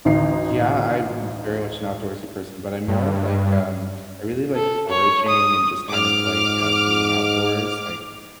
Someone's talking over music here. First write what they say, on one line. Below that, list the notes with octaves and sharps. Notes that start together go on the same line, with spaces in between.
Yeah, I'm m very much an outdoorsy person, but I'm more of, like, um I really like foraging and just kind of, like, uh, being outdoors, like,
A1 D2 D#4 C7
G2
A4
C#5
D#6
G#2 D6 F6